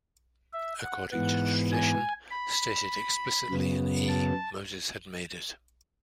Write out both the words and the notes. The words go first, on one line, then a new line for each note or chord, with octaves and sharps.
According to tradition, stated explicitly in E, Moses had made it.
E5
F#5
G#2 E3 B3 F#5
G#5
B5
F#2 C#3 F#3 B3
A5